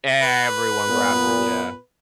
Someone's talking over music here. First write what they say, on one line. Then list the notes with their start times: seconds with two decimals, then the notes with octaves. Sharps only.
Everyone grabs it, yeah.
0.23 B4
0.87 A#2 B3